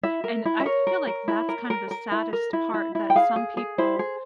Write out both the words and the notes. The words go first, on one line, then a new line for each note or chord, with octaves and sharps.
And I feel like that's kind of the saddest part, that some people,
E4 E5
A#4
E4
E5
A#4 C#5
A#4
A#4
E4
A#4
A#4
A#4
E4
A#4
E4
E4
E4
G5
G#4 F5
G#4
G#4
E4 C5
G#4